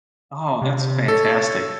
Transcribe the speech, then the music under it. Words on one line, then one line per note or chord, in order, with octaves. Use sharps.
Oh, that's fantastic.
C3
A4 C#5